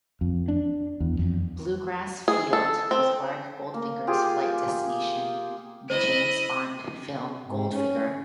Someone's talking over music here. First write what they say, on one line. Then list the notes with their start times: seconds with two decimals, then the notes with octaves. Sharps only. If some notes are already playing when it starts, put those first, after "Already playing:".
Blue Grass Field was Auric Goldfinger's flight destination in the James Bond film "Goldfinger".
0.21 F2
0.48 D4
1.00 E2
1.19 F2
2.28 G#4
2.53 A4
2.91 C4
3.74 A#3
4.07 F4 G4 G#4
5.90 E4 C5 D#5 D#7
7.46 G#2
7.72 C#4